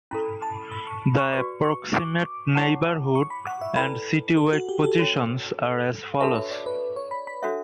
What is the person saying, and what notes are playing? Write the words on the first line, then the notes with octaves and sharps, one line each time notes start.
The approximate neighborhood and citywide positions are as follows.
C#4 E4 A4 B5
A5
B5
C#6
C#6
F#4 B4 D5 C#6
C#6
D6
E4 G4 C#5 F#5 A5
C#6
B5
F#5
E5
E4 A4 B4 D5 G5 B5
A4
F#4
G4
A4
C#4 F#4 C#5
D4 F#4 A4 B4 E5 A5
C#5
D5
B4
C#5
B5
B5
D4 F#4 A4 C#5 E5 F#5